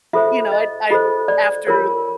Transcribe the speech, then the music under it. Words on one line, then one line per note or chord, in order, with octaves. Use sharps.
you know, I'd I'd after
F4 A4 C5 E5
D#5
F4 A4 C5 D#5
D5
F4 A#4 C#5